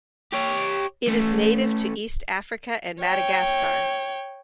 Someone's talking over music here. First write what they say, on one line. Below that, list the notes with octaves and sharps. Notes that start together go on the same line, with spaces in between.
It is native to East Africa and Madagascar.
G4 C#5
A3 C#4
C#5 G5